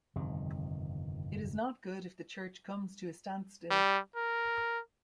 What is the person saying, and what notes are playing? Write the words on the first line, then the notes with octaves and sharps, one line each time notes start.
It is not good if the Church comes to a standstill.
G1 F2 C3 D#3
G3
A#4